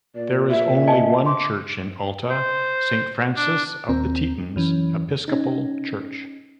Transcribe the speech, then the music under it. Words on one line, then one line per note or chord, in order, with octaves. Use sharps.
There is only one church in Alta: Saint Francis of the Tetons Episcopal Church.
A#2 D5
E5
D#5 G#5 A5
C6 D6
C5
D4
D#2 C4 A#5
F#2 E3 C#4
C#4 D#4